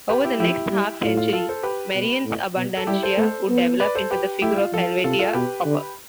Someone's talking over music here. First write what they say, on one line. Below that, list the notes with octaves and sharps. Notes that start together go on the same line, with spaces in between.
Over the next half-century, Merian's "Abundantia" would develop into the figure of "Helvetia" proper.
G4 B4
E4 G4
F3 E4 G4
G3
A2 F4
F4
F4 A4
A4 C5
G4 B4
B2
A2
B2
A4
G3 E4 G4
A4 C5
A3 A4 C5
B3
B4 D5
A4 C5
G4 B4
A3 E4 G4
F4
F3 F4 A4
C3 F4 A4
F4 A4
B2 G4 B4
D3